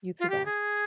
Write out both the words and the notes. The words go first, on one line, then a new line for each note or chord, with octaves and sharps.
You too, bye.
F4
G4
G#4